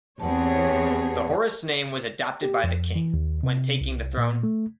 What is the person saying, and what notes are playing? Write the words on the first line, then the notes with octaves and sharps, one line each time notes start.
The Horus name was adopted by the king, when taking the throne.
E2 C4 G4 G#4 B4 C#5 F#5 A5
G4
F2
E3
D#2
C3
C2
A#2
A3